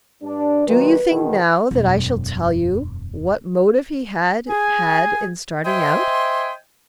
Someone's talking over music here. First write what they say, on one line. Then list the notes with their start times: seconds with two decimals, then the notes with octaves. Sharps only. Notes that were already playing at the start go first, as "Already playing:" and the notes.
Do you think now that I shall tell you what motive he had had in starting out?
0.22 G2 D4
0.67 F#2 A#2 D#3 B4
1.10 E2 B2 D#3
1.71 E1 F#2
4.49 G#4 G#5
5.64 C5 D#5 E5 G5 G#5 C6